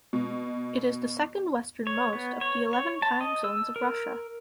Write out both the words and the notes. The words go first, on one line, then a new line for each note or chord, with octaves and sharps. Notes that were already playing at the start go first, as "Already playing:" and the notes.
It is the second-westernmost of the eleven time zones of Russia.
B2
C#5
B3
C#5
C#5
A5
D#5
E6
A#4